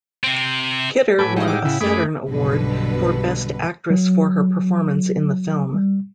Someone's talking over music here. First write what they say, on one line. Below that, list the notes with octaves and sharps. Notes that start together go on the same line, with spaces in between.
Kidder won a Saturn Award for best actress for her performance in the film.
C3 C4
A2 F#3 A3 A4 B4 G#5 B5 D6
E3 G3 G#3 D#4 E4 A4 D#5
F#5 G5 D6 E6
C#3 E4
F#2 A3 G#4 B5 D6 D#6
B1 G2 B2 D3 B4
F#3
G3